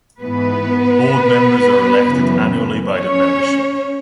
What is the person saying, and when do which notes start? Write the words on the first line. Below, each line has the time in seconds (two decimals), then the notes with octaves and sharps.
Board members are elected annually by the membership.
0.21 G#2 E3 B3 B4
2.06 F#2 C#3 E3
2.97 C#4 C#5